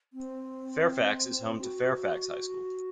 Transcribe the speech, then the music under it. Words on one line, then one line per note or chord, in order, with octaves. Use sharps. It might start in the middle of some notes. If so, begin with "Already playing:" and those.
Fairfax is home to Fairfax High School.
C4
F#4
F#4